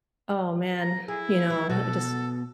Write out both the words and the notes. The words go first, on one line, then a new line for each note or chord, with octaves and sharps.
oh man, you know, just
A#5
E4 G#4
E3
B2 B3 F#4 A4